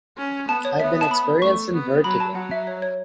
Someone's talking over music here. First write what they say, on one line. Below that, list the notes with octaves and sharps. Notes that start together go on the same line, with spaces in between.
I've been experiencing Vertigo.
C#4
B3 A5
C#5
B3 E5
A5
B5
A3 C#6
B3
F#3 B5
A5
F#3 F#5
E5
C#5
C#5